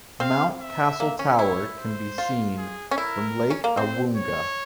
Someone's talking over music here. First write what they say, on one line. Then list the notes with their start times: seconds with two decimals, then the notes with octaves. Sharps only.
Mount Castle Tower can be seen from Lake Awoonga.
0.20 C4 F5
0.60 E5
1.00 A#3
1.19 C#4
1.38 E4 C#5
1.79 C5
2.18 F4
2.58 G#4
2.91 C#4
2.98 E4 A#4
3.50 C#4
3.64 A#3
3.77 C4 C5
4.16 C#5